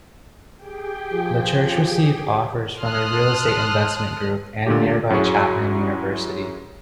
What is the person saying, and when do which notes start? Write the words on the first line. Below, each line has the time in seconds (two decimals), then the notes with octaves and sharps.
The church received offers from a real estate investment group and nearby Chapman University.
0.57 G4 G#4 G5
1.11 F3
2.80 A5 C6 D#6 F6 F#6
4.67 A#2 D3 A3 G4
5.10 F#2 F#3 E4 F#4 G#4 C#6